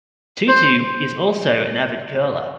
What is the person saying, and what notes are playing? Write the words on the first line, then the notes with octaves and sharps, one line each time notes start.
Tootoo is also an avid curler.
C5